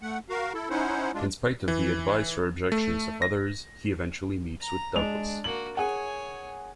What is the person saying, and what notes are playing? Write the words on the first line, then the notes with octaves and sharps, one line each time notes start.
In spite of the advice or objections of others, he eventually meets with Douglas.
A3 F#5
F#4 A#4 F5
E4 A4
C#4 D#4 E4 C5 F#5
G#3 D4 F4
E3
A3
A#6
A#5
G#3 D4 F7
A#3 F#4 F#7
G#4 C#5 F#5 G#5